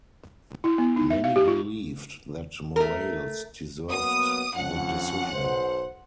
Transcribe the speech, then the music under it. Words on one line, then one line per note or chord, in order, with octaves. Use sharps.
Many believed that Morales deserved the decision.
E4
B3
D#4
E5
F5
G4
F4
A3 A#4
F#3 A#3 B3 D#6
F2 C#4 F#5
B1 C5